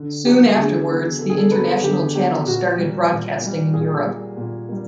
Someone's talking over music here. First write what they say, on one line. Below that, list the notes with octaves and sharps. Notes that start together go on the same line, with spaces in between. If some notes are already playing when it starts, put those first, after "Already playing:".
Soon afterwards, the international channel started broadcasting in Europe.
Already playing: D3
F#3 B3 G4
D3 G#4
F#3 B3
D3 A4
G#4
A4
F#3 B3 B4
D3 G4
F#3 B3 G4
A#2 F#4
G3 A#3
A#2
G3 A#3
A#2 G#4
G3 A#3
A#2
G3 A#3